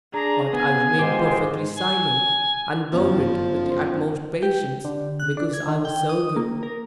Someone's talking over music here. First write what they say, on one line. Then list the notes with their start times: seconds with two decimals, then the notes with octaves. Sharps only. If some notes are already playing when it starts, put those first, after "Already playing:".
But I remained perfectly silent, and bore it with the utmost patience, because I was so good.
0.14 D4 G#4 A#5
0.53 B3 G#5
0.99 G#2 F4 G4 C5
1.77 G#5
2.93 G1 F#2 F3
4.43 G4
4.85 D3
5.20 F#6
5.37 D4
5.54 G#6
5.67 D#3
5.85 G5
6.09 D#6
6.37 A#3
6.63 A#4